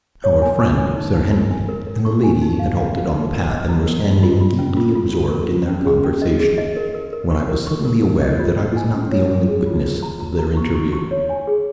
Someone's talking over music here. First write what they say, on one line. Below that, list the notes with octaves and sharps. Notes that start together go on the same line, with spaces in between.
Our friend, Sir Henry, and the lady had halted on the path and were standing deeply absorbed in their conversation, when I was suddenly aware that I was not the only witness of their interview.
C#5
G#5
G#5
G#5
D#4
D#4
A#4
G#5
A#4
A#4
C#6
G#5
D#4
F5
F5
F5
D#4
A#4
D#5
A#5
A#4
D#5
F4
F4
C#4
F4
F4
F4
A#4
F4
C#4
G#4
C#4
D#5
G#4
D#5
A#4
A#4
A#4
C#6
A#4
C#6
A#4
A#4
D#5
F4
D#5
G#5
C#4
C#5
C#4
G#4
F4
F4
A#5
A#5
A#5
C#6
C#6
C#6
C#5
G#5
G#4